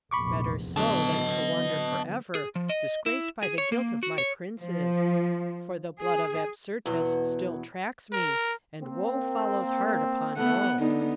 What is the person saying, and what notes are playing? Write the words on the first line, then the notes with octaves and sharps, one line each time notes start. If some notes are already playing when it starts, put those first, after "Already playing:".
Better so, than to wander forever, disgraced by the guilt of my princes; for the blood of Absyrtus still tracks me, and woe follows hard upon woe.
F1 A#1 E2 B5 C#6 D6
D3 F#3 B3 D#5 A5
G#4
F3
D#5
E4
G#4
C#5
A#3
F#4
C#5
F3
G#4
E2 B2 F#3
A#4
A#3 C4
A3 B3 F#5
D3 B3 D#4